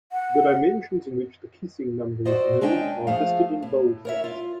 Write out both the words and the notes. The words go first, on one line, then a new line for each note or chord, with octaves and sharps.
The dimensions in which the kissing number is known are listed in boldface.
F#5
F#4 A4 C5 D5 D#5
G#3 C#4 D4 D#5 F5 G5
F3 A3 G#4 F5
A2
A#4 C#5 E5
F4